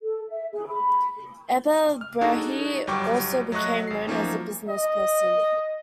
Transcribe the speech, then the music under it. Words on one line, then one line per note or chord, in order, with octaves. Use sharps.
Ebba Brahe also became known as a business person.
A4
E5
G#4
B5
F6
D4 D#4 F#4 G#4 A4
G1 F#3 G3 G5 C#6 D6
F#3 A3 D#5 C#6 F#6
G#1 C7
F3 F#3 A3 A#3 C#4 D#4
D#5